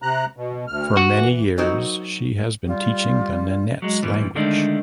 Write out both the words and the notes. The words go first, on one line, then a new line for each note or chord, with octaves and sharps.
For many years she has been teaching the Nenets language.
C3 A#5 F#6
B2
D2 F6
F#4
E3
F#3 C4 D#4 F#4 A#4
G3 F4
F#3 G#3
A#2 E3 G3
D3 D#3 G#3 A3 D4